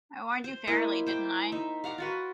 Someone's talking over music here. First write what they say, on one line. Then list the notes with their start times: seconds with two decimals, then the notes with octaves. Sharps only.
I warned you fairly, didn't I?
0.44 C5
0.67 A#3 E4 D#5
1.06 C5 G5 D6
1.52 D#4 E5
1.84 F5 F#5 A#5 D6
1.98 F4 F#4 B4